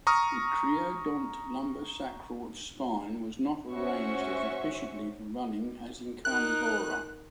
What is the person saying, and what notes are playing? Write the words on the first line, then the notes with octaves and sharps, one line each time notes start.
The creodont lumbosacral spine was not arranged as efficiently for running as in Carnivora.
A#5 C#6 D#6 F6
C#4 F#4 C5 E5 C#6
D#4 A#4 F#6